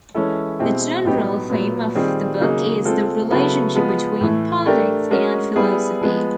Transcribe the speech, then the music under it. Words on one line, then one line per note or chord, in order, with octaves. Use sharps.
The general theme of the book is the relationship between politics and philosophy.
E3 G#3 C#4 E4 A4
B2 G#3 C4 E4 G4
A2 F#3 B3 D#4 G4
A#2 F#3 B3
D#3 G3 C4 F4 G#4
C#3 F#3 A#3 D#4 G#4
G#3 C4 F4 A4
C#3 F#3 B3 E4 A4
F3 G#3 B3
A2 E3 A3
A3 D4 G4 A#4
G#3 C#4 F#4 A#4
G3 B3 E4 G#4
F3 G#3 B3